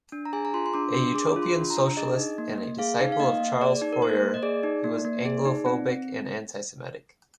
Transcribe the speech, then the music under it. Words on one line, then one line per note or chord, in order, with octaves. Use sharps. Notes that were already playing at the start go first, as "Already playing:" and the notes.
A utopian socialist and a disciple of Charles Fourier, he was anglophobic and anti-semitic.
D4
A#5
G#4 G#5
A#5
F4 C6
C6
D4 D6
D4 C6
G#4 D6
F4
C6
D4
A#5
D4
G#4 D#5
D#4
A#3
A#3
G#4 F5
D#4
F5
A#3 D#5
A#3
G#4 D5
D#4
A#4
A#3 C5
A#3
D#5
G#4 D5
D#4
A#3
A#3
G#4
D#4
C4
C4